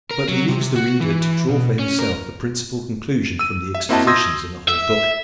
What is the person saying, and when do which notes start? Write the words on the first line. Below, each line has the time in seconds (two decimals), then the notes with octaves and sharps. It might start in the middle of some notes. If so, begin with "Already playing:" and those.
But he leaves the reader to draw for himself the principal conclusion from the expositions in the whole book.
0.11 A#4
0.28 F#3
0.49 C3
0.76 F#4
1.00 E3
1.49 B2
1.79 C#4
1.99 A#4
3.39 E6 D#7
3.75 E5
3.89 A#3 C4 E4 F#4 D#5 A5
4.07 C6 D#6 E6 G6 G#6 A#6
4.69 E5